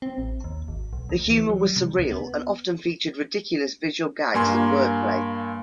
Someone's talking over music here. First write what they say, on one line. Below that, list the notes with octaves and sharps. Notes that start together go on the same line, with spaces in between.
The humour was surreal and often featured ridiculous visual gags and wordplay.
C4
A1
D#2
G#1
B1
D2
E3
F#3
G3
C3
D2
B3
G2 A#3 G#5 C6